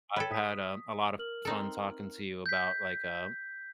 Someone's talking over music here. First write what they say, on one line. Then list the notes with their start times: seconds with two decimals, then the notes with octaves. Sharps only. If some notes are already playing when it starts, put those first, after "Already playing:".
I've had, um, a lot of fun talking to you about, like, um,
0.16 A4 B4 C#5 G5 G#6
0.31 D#6 B6
1.19 A#4 F6 F#7
1.45 C4 D#4 A4
2.46 G6 B6